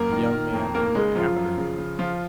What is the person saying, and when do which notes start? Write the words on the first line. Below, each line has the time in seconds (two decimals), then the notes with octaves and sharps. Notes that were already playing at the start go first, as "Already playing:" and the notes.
The young man entered after him.
Already playing: F#2 A#3 A#4
0.11 D#3
0.32 D#3
0.53 F2
0.74 D#2 A#3 A#4
0.95 C#3 G#3 G#4
1.15 F#2 F3 F4
1.36 F#2
1.58 C#3
1.78 C#3
1.99 F3 F4